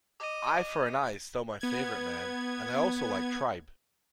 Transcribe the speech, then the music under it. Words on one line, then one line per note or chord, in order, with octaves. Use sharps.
Eye For an Eye is still my favourite, man, and I also like Tribe.
D#5 D6 D#7
B3 G#6